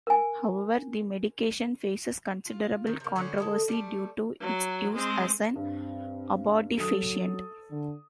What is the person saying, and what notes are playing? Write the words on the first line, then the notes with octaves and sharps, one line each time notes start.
However, the medication faces considerable controversy due to its use as an abortifacient.
A#4 G#5
F4
D#3
C3 A#3
D3 C#4 D#4 F#4
D3 G#3 A4
G3 A3
F#3
G#3 C4
G2 C4
F#3 A4 D#6
D3